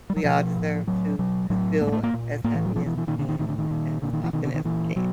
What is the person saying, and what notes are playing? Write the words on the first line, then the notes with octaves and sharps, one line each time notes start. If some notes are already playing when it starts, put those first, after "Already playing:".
We all deserve to to feel as happy as we can as often as we can.
G3
F#3
B2 F3
A2
A2 F#3
B2 F#3
A2 F#3
A2 A#3
G#3
A3
A#3
A#2
A2 A#3
E3
F#3
B2 F3
E3
E3
A#2 D#3
D3
D#3
A2 D#3
D3
D#3
A#2
A#2 D3
D#3
E3
B2 D#3
D3
D#3
A#2 E3
B2 F#3